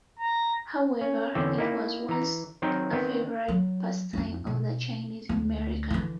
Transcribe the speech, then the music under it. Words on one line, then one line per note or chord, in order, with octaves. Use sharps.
However, it was once a favorite pastime of the Chinese in America.
A#5
C#4
E2 D3 C4 C#4 E5
A#3 D#4 E4 G4
E3 A#5
D#3 F#3 C4 D#4 A#4
D#3 B3 C4
F#3
F2 D4
B2
D2
D3 E3